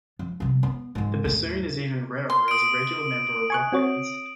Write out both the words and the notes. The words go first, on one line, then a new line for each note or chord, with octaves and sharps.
The bassoon is even rarer as a regular member of rock bands.
F3
C3 G3
B3
G#2 E3
D#2 A2
C6
D#6 D7
G#5 C#6 F#6
C4 F#4 C#5